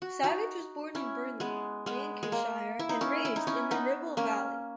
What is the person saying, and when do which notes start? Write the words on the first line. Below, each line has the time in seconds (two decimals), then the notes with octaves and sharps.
Savage was born in Burnley, Lancashire and raised in the Ribble Valley.
0.02 F#4
0.23 D#4 F#4
0.95 C#4 E4
1.40 G#3 B3
1.86 G#3 B3
2.23 G#3
2.32 A#3
2.79 E4
2.89 D#4
3.01 C#4 E4
3.25 E4
3.36 D#4
3.47 C#4 E4
3.71 B3 D#4
4.17 A#3 C#4